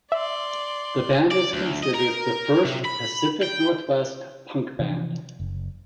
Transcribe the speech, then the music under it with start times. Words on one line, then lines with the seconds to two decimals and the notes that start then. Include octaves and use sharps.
The band is considered the first Pacific Northwest punk band.
0.12 D5 E5 C6
1.31 D5
1.53 D2
1.83 D#5
1.95 A#4
2.65 C3
2.85 B5
3.43 G5
4.79 C3 E3 F3
5.40 F#1